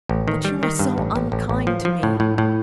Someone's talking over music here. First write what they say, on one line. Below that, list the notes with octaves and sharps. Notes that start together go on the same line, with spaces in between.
"But you are so unkind to me!"
A1
D#3
G3
D#3
G2
A1
A1
A1
A1
F3
F3
A2
A2
A2